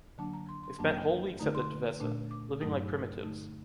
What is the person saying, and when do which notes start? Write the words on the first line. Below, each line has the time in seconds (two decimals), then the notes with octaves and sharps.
They spent whole weeks at the Devesa, living like primitives.
0.18 D3 F#3 A#3 D4 A5
0.34 A#5
0.49 C6
0.63 C6
0.79 F#2 F#3 A#3 D4 A5
0.94 G5
1.39 D3 A3 D#4 A#5
1.55 C6
2.00 A#2 A3 D4
2.31 D6
2.61 G2 F#3 A3 D#4
3.22 D3 A3 D#4